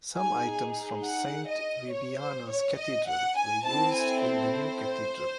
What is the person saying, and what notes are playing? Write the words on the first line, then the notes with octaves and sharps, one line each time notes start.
Some items from Saint Vibiana's Cathedral were used in the new Cathedral.
D#4 G#4 G#5
F#5
D#5
C#5
C5
C#5
D#5
F#5
G#5
C4 E4 A4 A5
G#5
C5